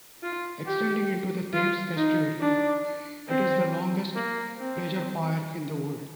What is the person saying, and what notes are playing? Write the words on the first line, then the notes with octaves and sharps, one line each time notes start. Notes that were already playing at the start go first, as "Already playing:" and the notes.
Extending into the Thames Estuary, it is the longest pleasure pier in the world.
F4
G4
F4
D#4
D4
C4
A#3
C4